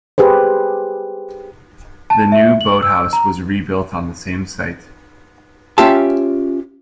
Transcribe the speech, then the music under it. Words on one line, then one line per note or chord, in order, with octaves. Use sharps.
The new boathouse was rebuilt on the same site.
G4 G#4 B4 C5
A5
E5
F#7
E6
A#5
C#4 F4 G4 E5 A5